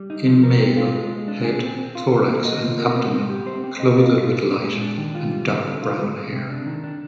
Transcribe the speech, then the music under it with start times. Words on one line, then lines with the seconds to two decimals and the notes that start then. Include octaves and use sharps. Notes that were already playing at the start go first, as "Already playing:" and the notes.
In male, head, thorax and abdomen clothed with light and dark brown hair.
Already playing: G3
0.10 D#4
0.27 F3
0.43 A#4
0.60 C4
0.77 F4
0.93 G#3
1.11 G#3
1.28 D4
1.44 G#4
1.61 C4
1.78 C4
1.95 F4
2.12 C5
2.29 A#3
2.45 D#5
2.62 F4
2.78 A#4
2.96 C4
3.13 C4
3.30 G4
3.46 C5
3.64 C4
3.80 D#5
3.97 F4
4.13 C4
4.31 A#2
4.47 A#2
4.64 G#3
4.81 D4
4.98 D#3
5.15 F4
5.31 G3
5.49 C4
5.65 D3
5.83 F4
5.99 G3
6.16 G#3
6.33 C3
6.50 D4
6.66 D#3
6.84 D4